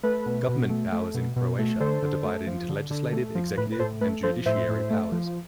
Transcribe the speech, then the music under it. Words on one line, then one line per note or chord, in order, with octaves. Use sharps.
Government powers in Croatia are divided into legislative, executive and judiciary powers.
A3 B4
B2
B2
A3
A3
B2
B2
A3
D3 A4 C5
D3
A3
F3
D3
D3
A3
F3
A2 B4
B4
A2 A4 C5
A3 B4
F3 A4 C5
A2 C5 E5
A2
A3
F3